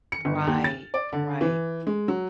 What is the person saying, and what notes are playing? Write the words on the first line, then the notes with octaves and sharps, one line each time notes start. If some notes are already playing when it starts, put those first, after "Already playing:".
Right, right,
C#7
G1
D#2
A6
D5
D3
E3
G#3
F#3